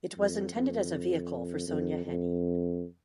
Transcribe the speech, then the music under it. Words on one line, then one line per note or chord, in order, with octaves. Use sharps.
It was intended as a vehicle for Sonja Henie.
F2
F2
F2
F2